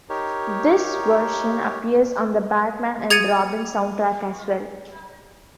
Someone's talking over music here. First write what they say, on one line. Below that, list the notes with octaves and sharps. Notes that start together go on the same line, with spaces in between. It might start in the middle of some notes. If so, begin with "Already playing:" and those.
This version appears on the "Batman and Robin" soundtrack as well.
D#4 G4 A#4 C#5
G#4 G#6 A6 C#7 D#7